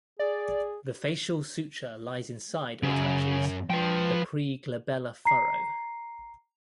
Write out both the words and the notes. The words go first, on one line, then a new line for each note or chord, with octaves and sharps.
The facial suture lies inside or touches the preglabellar furrow.
G#4 D5
F#2 C#3
F3 B4 G5
A#5 C7